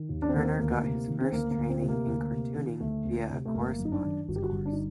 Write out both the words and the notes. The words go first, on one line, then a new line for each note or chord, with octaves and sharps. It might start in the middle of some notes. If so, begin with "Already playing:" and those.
Turner got his first training in cartooning via a correspondence course.
Already playing: D#3
D#2
D4
C4
D#3 A#3
C4
D2 A#3
C3
D#3
C4
D2 A#3
A#3
D2
C4
C3
A#3
D2
C3
D#3
D2 A3
D2
C3
A3
G1 A#3
F#2
D#4
D4
D#3
G1 F#4
G4
F#4
G1
D4
D#4